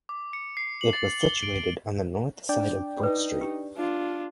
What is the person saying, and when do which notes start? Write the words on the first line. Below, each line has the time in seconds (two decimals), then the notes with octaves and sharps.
It was situated on the north side of Brook Street.
0.09 D6
0.33 C#7
0.57 C7
0.81 F#7
0.93 A6
1.21 G7
1.43 D7
2.49 D4 D5 G5
3.03 D#4 B4
3.41 G4
3.77 D4 F4